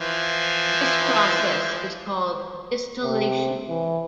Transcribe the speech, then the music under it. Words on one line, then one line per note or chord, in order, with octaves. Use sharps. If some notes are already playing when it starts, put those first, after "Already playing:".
This process is called distillation.
E3 F3
C3
E3